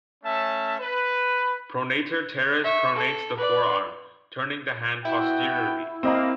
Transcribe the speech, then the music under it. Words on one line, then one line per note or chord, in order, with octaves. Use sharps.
Pronator teres pronates the forearm, turning the hand posteriorly.
A3 C#4 E5 A5
B4
E5 C#6
A4
B4 D5
B3 E4 F#4 G5
A#3 C4 D#5 B5